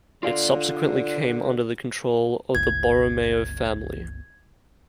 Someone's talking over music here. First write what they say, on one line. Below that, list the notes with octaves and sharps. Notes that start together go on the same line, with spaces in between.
It subsequently came under the control of the Borromeo family.
D3 F4 D5 F5
G1 C#2 G#6